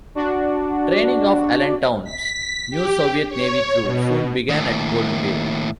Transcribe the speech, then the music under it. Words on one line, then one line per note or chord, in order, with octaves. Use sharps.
Training of "Allentown"s new Soviet Navy crew soon began at Cold Bay.
D4 F#4 D5
B6
G4
C#5
B2
D#2 A2